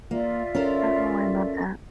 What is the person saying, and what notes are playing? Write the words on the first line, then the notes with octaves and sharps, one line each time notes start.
Oh, I love that.
A#3 F4 D5 E5
C#4 A4 A#4